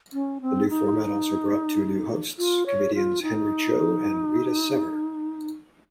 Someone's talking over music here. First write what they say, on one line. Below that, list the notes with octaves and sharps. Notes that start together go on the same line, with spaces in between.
The new format also brought two new hosts: comedians Henry Cho and Rita Sever.
C#4
C4
D#4
F4
C#5
F4
D#4